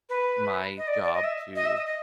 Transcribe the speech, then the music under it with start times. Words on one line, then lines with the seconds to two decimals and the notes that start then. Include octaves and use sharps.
my job to
0.09 B4
0.78 D#5
0.87 D5
1.03 D5
1.14 D#5
1.24 E5
1.56 D#5
1.65 E5
1.76 D#5
1.86 D#5